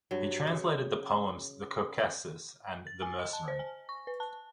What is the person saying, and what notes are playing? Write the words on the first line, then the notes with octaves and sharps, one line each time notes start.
He translated the poems "The Caucasus" and "The Mercenary".
G2 F#3
C#3
A6
G#5
D#5
A5
C5
G#5
C#6
B4
A5